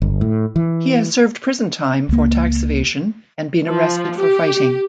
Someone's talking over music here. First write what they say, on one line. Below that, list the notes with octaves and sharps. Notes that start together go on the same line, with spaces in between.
He has served prison time for tax evasion and been arrested for fighting.
G1
A2
E3
C#2 A#3
F3
G4